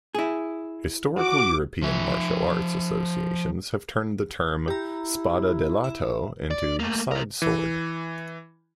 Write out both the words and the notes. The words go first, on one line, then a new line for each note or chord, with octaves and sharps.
Historical European Martial Arts associations have turned the term "spada da lato" into "side-sword".
E4 G#4
F#4 D6
F3 E5
E4 G4 A#5
E5
D5
A3 A#3
E4 A#4
E3